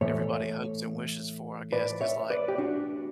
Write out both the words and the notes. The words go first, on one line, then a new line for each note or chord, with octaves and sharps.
everybody hopes and wishes for, I guess, 'cause, like
A2 E3 A3 C#5 E5
B4 D5
C#5 E5
B4 D5
G4
D4 F#4